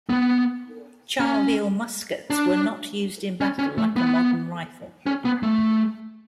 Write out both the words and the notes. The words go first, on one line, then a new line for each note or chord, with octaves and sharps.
Charleville muskets were not used in battle like a modern rifle.
B3
C#4
D4
C#4
C#4
A3
B3
C#4
B3
A3